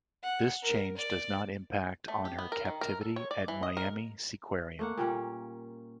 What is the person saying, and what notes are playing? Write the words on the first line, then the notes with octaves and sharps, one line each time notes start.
This change does not impact on her captivity at Miami Seaquarium.
F#5
A#4
D5
A3
G4
B3
A#4
D#3
A#4
A4
C#5
D5
E3
D#5
A#4
A3 A#3 F#5
A#2 G3 C#4